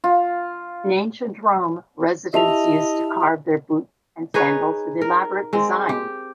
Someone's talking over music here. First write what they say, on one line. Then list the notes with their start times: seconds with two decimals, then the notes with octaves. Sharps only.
In ancient Rome residents used to carve their boots and sandals with elaborate designs.
0.04 F4
2.34 E4 G4 D#5 E5 A5 F7
4.34 D#4 G#4 B4 C#5
5.02 A#4
5.53 G#3 C4
5.89 G4